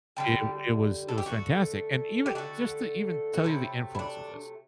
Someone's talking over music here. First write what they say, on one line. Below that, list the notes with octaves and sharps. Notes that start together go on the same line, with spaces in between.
it w it was it was fantastic. And even just to even tell you the influence of this,
D3 G3 G4
A4
G4
D3 A3 F#4
G4
D3 A3 F#4
F#4
C3 F#3 A3 E4
E4
D4